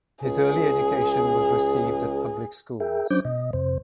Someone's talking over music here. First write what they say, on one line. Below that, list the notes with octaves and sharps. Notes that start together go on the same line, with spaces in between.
His early education was received at public schools.
C#2 G#4
G#4 A#4 E5 G5
F#3 C#4 D4 C5 D6 G6
B2 D#5
F2 C3 C5